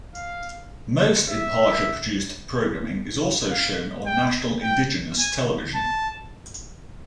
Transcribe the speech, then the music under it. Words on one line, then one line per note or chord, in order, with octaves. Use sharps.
Most Imparja-produced programming is also shown on National Indigenous Television.
F5
E5
F5
G5
G5
G#5
A5